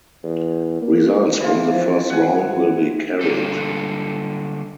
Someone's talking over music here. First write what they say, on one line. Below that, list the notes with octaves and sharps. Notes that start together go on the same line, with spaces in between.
Results from the first round will be carried.
E2
A#3
D2 E3 F4
F3
G#1 F#5 G#5
D3 G3 A#3 A4